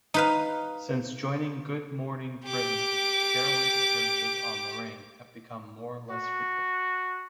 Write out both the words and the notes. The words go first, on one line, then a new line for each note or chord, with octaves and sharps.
Since joining "Good Morning Britain", Garraway's appearances on "Lorraine" have become more less frequent.
D#4 B4 F5
G4 D6
F#4